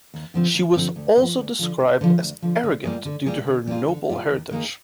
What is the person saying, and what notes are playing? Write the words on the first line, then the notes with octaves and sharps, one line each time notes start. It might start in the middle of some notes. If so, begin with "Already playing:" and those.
She was also described as arrogant due to her noble heritage.
D#2
D3 F3 C4
D#2
D3 F3 C4
D2
D3
F3
D2
D3 F3
D2
D3 F3
D2
D3 F3
D3
G3 A#3 F4 G#4
D3
G3 A#3 F4 G#4
D3
G3 A#3 F4 G#4
D3
G3 A#3 F4 G#4
D#2
D#3 A#3 D#4 G#4